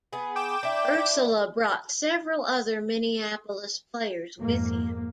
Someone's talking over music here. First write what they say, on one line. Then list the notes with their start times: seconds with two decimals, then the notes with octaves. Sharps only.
Ursella brought several other Minneapolis players with him.
0.13 B3 G#4
0.36 G5 D6 E7
0.63 D4 E4
4.39 F2 G#2 A#3